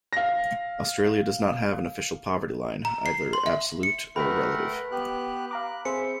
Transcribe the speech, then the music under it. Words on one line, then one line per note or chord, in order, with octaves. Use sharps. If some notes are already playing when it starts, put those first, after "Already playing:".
Australia does not have an official poverty line, either absolute or relative.
F5 A#6
A#5
C7
C6
E5
C#7
A3 A#4 B4 F#5 G5 B5 B6
B3 G4 F#6
F5 A#5 D6 F#6
C4 G#4 C5 E5 C#7